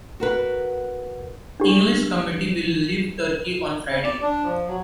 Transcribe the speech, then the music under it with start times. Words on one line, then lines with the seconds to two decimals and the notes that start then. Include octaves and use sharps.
English committee will leave Turkey on Friday.
0.20 F#4 A#4 B4
1.60 D4 G4
3.88 C#3
4.04 D5
4.23 D4
4.43 F3
4.67 F#3